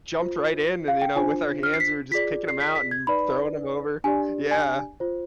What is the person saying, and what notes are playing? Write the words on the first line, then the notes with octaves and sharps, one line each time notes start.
jumped right in and, you know, with our hands, we were just picking 'em out and throwing 'em over. Yeah.
F4 C5
F5
G5
D4 F4 C5 G#5
F6
C7
B6
F4 G#4 D5 B6
C7
B6
B6
G#6
D#4 B4 D5 B5
D4 G4 D5 G#5
G#5
F4 C5